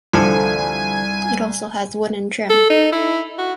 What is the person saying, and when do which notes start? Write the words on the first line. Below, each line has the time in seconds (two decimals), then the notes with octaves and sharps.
It also has wooden trim.
0.13 C2 D3 F3 A4 G#5
2.50 A4
2.70 D#4
2.92 E4
3.38 F#4